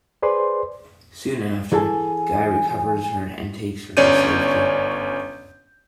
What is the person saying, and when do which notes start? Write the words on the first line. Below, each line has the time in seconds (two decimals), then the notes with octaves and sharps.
Soon after, Guy recovers her and takes her to safety.
0.23 G#4 B4 C5 D5 C6
1.72 E3 G#4 A4 G#5
3.97 G1 C#4 C#5 D5 G6 D#7